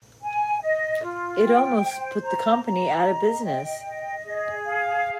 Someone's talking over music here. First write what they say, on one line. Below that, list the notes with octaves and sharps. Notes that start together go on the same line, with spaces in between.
It almost put the company out of business.
G#5
D#5
F4
G5
C5
A#5
A#5
D#5
G5
D#5
G#4
F5